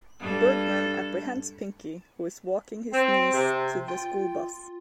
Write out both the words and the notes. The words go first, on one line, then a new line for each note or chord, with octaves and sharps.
Bergman apprehends Pinky, who is walking his niece to the school bus.
G2 A4
C4
C3
F4 G5